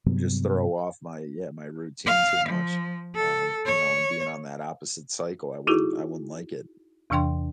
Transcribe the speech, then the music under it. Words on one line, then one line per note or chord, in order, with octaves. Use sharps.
Just throw off my, yeah, my routine too much, um, you know, and being on that opposite cycle, I wouldn't I wouldn't like it.
G2 C3 F#3 B3
F5
F3
A4
C#5
D#4 E4 F#4 G#4 A4
E2 C3 E3 D4 G5 C6